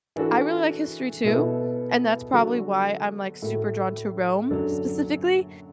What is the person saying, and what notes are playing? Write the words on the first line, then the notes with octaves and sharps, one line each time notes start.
I really like history too, and that's probably why I'm, like, super drawn to Rome specifically.
E3 D4 F#4 A4
B2 B3 E4 A4
D3 F#3 D4 F#4 A4
A2 A3 F#4 A4
F#2 D3 F#3 D4 A4